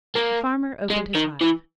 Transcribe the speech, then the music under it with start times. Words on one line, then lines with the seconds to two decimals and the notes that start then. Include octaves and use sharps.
The farmer opened his hive.
0.16 A#3
0.90 G#3
1.15 D#3
1.41 E3